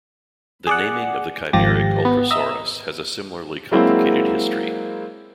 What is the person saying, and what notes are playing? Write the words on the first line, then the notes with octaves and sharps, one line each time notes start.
The naming of the chimeric "Ultrasauros" has a similarly complicated history.
G#4 D5 F#5
G#1 F3 G4 A6 A#6
B3
D#5 E5 A#5 E6
F#3 G#3 A#3 C4 E4